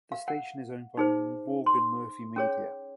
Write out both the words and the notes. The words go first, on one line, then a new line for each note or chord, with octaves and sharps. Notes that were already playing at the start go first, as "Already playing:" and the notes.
The station is owned by Morgan Murphy Media.
F5
F#5
D#4 G#4 C5
C6
C#4 G#4 C#5